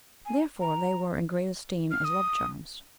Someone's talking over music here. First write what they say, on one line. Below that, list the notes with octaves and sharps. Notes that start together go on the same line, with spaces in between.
Therefore they were in great esteem as love charms.
G#5
A#5
F6
D#6